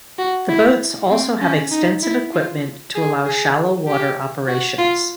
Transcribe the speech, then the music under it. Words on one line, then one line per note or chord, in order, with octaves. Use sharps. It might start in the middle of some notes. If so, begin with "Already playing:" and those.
The boats also have extensive equipment to allow shallow water operations.
F#4
E4
C4
C#4
D#4
E4
F4
G#4
G#4
G4
F#4
F4